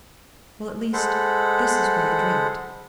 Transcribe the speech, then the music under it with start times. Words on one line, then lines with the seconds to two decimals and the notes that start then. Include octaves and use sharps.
Well, at least, this is what I dreamt.
0.93 G#3 A4 C5 F#5 B5